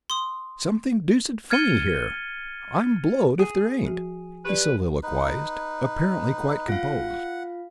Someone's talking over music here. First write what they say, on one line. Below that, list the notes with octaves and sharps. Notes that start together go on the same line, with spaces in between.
"Something deuced funny, here, I'm blowed if there ain't!" he soliloquized, apparently quite composed.
C6 D#6
F6 G#6 A6 C#7 D#7 G7
G#4
F3 F#4
G4 B4 D5
D#4 B4
F4 F5 F#5